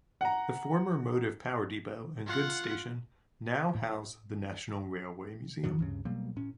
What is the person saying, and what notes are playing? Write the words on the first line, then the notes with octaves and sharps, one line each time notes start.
The former motive power depot and goods station now house the National Railway Museum.
F#5 A#5
F4 F#5
A2
F2 A2 D3 F#3
D2 G2 C#3
B2 F#3 G3 A#3
A2 C#4